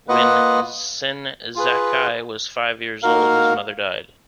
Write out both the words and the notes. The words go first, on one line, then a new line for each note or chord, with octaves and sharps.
When Senzaki was five years old his mother died.
A#3 F4 B4 D#5 F#5
F4 G#4 B4
A#3 D#4 F#4 A#4 F5